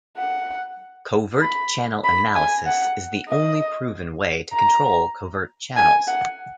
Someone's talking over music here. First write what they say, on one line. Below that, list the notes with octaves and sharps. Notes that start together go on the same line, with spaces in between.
Covert channel analysis is the only proven way to control covert channels.
F#5
B5
B5
G#5
F#5
D#5
A#5
G#5
F#5